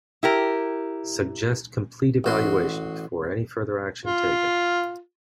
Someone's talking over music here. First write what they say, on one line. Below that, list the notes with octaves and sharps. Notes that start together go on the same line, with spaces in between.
Suggest complete evaluation before any further action taken.
E4 G4 A#4
A1 F#4 C6
F4